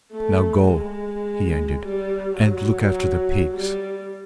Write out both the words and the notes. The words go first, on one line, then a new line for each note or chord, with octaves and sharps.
'Now go,' he ended, 'and look after the pigs!'
A3
G#3
G3
F#3
G3